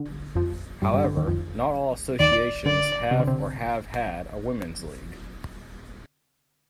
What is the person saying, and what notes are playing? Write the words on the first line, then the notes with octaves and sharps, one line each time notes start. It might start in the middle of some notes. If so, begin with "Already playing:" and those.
However, not all associations have or have had a women's league.
Already playing: D3
F2 F3
G2 G3
G2 G3
D3
D#2 D#3
F2 F3
D#2 D#3 D5
D3 D5
C3
D3
C3